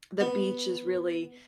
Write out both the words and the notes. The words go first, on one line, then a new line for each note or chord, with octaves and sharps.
the beach is really,
B3